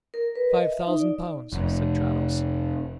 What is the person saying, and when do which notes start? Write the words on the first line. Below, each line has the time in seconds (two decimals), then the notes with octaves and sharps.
'Five thousand pounds,' said Traddles.
0.14 A#4
0.36 B4
0.51 D#5
0.65 E5
0.87 D#4
1.00 D5
1.53 F1